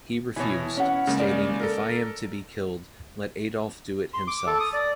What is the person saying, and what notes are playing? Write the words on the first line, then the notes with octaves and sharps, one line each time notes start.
He refused, stating, If I am to be killed, let Adolf do it himself.
B2 E3 E4 C#5
C#4 F#5
C#3 G#3 A#3
D5
A4 A#4
C6
D6
A4
D#6
D5